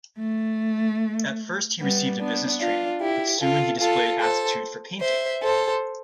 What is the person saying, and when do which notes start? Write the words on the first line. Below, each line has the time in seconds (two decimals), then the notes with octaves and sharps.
At first he received a business training, but soon displayed aptitude for painting.
0.19 A3
1.79 G3 B3
2.20 B3 D4
2.60 D4 F4
3.00 E4 G4
3.40 F4 A4
3.80 F4 A4
4.20 A4 C5
5.00 C5 E5
5.42 A4 C5